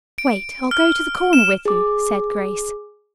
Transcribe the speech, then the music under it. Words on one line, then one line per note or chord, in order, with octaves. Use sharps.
"Wait, I'll go to the corner with you," said Grace.
D7
F6
E7
G#4 D6